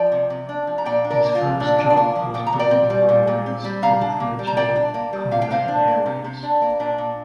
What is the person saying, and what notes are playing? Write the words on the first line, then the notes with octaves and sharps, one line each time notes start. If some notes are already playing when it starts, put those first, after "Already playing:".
His first job was building runways for the fledgling Connellan Airways.
Already playing: F3 D5 G5
C3
C3
D4
F3
A#5
A#2 D5 G5
D4
A#4 D5
A#3
F4
F3
A#2 D4
D4
D4
A#3 F4
F3
A#2 G5
A#5
A#2
D5 G5
C4
G3
A#2
A#2
C4
G3
C3 F5 A#5
D4
A#3
G3
A#5
C3 D5 G5
D4
A#3
G3
C3 F5
G5
C3 C5 F5
D4
A#3
C3
C3
D4
A#3
A#2 D4
A#2